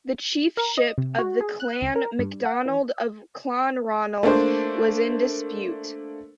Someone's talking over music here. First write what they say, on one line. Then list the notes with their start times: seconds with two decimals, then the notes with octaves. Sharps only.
The chiefship of the Clan Macdonald of Clanranald was in dispute.
0.57 A#4
0.78 D#5
0.98 C3
1.18 F#4
1.41 G#4
1.60 F#6
1.81 C#2
1.96 A#4
2.19 G2
2.46 F#5
2.66 E3
4.23 A3 A#3 D4 C5